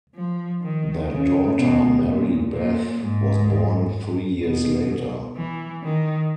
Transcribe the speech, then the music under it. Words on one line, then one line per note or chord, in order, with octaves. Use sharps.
Their daughter, Mary Beth, was born three years later.
F3
D#3
C#3
B2
A#2
A#2
G#2
B2
E3
D#3